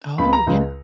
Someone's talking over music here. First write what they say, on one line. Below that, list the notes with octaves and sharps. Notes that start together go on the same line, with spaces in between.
Oh, yeah.
C#2 C#3 G#3 B5
A#5
C#2 C#3 G#3